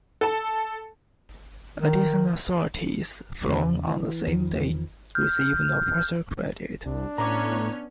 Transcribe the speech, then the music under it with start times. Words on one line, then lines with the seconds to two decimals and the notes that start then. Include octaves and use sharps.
Additional sorties flown on the same day receive no further credit.
0.21 A4 A5
1.77 D#3
3.48 E2 C#3
3.87 E3
4.27 E2 D#3 F3
5.15 F6 G6
6.86 C2 D4
7.18 A2 B3 C#4 C#5 A#5 D6